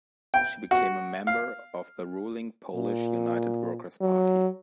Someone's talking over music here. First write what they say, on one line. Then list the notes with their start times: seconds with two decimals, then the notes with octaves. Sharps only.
She became a member of the ruling Polish United Workers' Party.
0.34 G5
0.71 F#4
1.27 F5
2.75 A#2
4.02 F#3